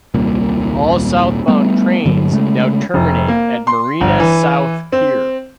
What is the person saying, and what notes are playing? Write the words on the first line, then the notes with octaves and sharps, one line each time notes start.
All southbound trains now terminate at Marina South Pier.
D#1 C2 A#2
G3 A3 B3
G2 D3 F#3
C#3 G#3 A3
F1
A#3
C6
G1
E3
C4